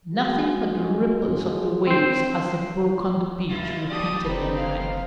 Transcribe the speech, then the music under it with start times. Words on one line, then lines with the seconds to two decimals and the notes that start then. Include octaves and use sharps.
"Nothing but the ripples of the waves as they broke on the beach," repeated the knight.
0.14 G#3 F#4
1.87 C4 C5
3.49 D#2 A#3 E4 F4
3.89 E3 F#4 G4 D5 D#6
4.24 F#1 D3 C4 D#4 A4 B4
4.56 F5